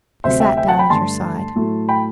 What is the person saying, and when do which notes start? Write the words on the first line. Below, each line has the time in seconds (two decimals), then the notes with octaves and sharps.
He sat down at her side.
0.24 D2 C3 F#3 C4 C5 E5
0.40 E5 G5
0.57 E5 G5
0.68 F#5 A5
0.79 G5 B5
0.90 G2 D3 A3 A5 C6
1.55 A2 F#3 A3
1.89 G5 B5